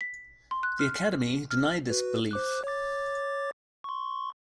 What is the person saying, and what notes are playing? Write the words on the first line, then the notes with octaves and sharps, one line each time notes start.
The Academy denied this "belief".
B6
C6
F#6
F6
F6
F#4 B4
C5 D6 F#6
C#5 D6 A6
C6 C#6